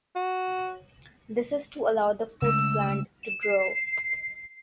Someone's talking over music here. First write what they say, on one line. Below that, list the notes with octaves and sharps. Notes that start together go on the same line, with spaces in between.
This is to allow the food plant to grow.
F#4
C#3 G#3 A3 E6
E7
C7